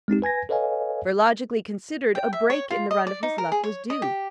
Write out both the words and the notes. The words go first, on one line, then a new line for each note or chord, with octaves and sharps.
For, logically considered, a break in the run of his luck was due.
G#3 C4 D#4 G4
B4 G#5 G#6 A#6
A4 B4 C#5 D#5 F5 G#5
G5
E5
C#5
F4
D#5
D5
D#4
A#4
G#4
C#5
D#5
G4